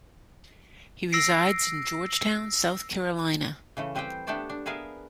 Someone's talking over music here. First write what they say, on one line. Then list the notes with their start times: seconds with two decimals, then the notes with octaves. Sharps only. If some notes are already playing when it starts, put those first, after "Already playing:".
He resides in Georgetown, South Carolina.
1.12 E6 A#6 C7 D7
3.77 C#3 E3 A3
3.95 G3 C4 B4 C5 D5 G5
4.27 A3 B3 D4 G4 D5 A5
4.50 D4
4.66 B3 G#4 A#4 B4 E5 F5